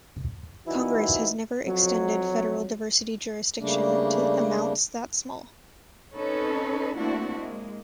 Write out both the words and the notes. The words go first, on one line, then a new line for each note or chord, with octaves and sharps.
Congress has never extended federal diversity jurisdiction to amounts that small.
A#2 E3 D#4 E4 F#4
F2 F#3
C#3 G3 A3 A#3 D4
C4 C#4 D#4 A4 B4 C#5
A3 A#3 C4 D4 E4 F#4
G#3 A#3